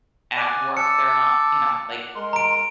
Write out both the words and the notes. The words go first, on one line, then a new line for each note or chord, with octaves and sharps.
at work, they're not, you know, like,
D5 F#5 G#5
A5 D6 E6 C#7
F#5
G#3 A#4 C6
A#5 D7